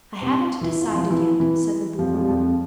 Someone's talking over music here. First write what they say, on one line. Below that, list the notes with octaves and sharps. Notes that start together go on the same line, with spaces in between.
"I haven't decided yet," said the Boolooroo.
C3 C4
E3 E4
F4
E4
F3 F4
E3 E4
E3 E4
F2 F3
G#3
G3
F2 F3